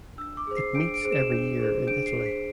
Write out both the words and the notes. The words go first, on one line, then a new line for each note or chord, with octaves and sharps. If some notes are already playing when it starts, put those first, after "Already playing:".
It meets every year in Italy.
D4 E6
D6
G#4 C5
C7
D4 D7
D7
G#4 C5
E7
D4
G#4 C5
D4 D7
C7
G#4 C5
B6